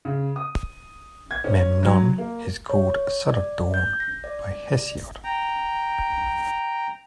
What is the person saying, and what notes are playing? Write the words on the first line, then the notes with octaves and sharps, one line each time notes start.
Memnon is called "son of Dawn" by Hesiod.
C#3
D#6
G#6
C#4
F#3
A#3
C#5
D5
G6
A#6
D5
G5 A#5